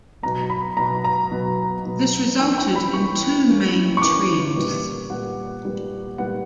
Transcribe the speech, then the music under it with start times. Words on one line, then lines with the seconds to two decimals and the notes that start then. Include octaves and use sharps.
This resulted in two main trends.
0.23 B2 F#3 B3 A#5
0.50 B5
0.77 B2 F#3 B3 A#5
1.04 A#5
1.31 B2 F#3 B3
1.85 B2 F#3 B3
2.40 E3 A#3 C#4 G5
2.58 G5
2.76 B5
2.93 E3 A#3 C#4 C#6
3.47 E3 A#3 C#4
3.97 C#6
4.02 E3 A#3 C#4 D6
4.56 A#2 G3 B3
5.10 A#2 G3 B3 F#5
5.64 A#2 G3 B3
6.18 A#2 G3 B3 F#5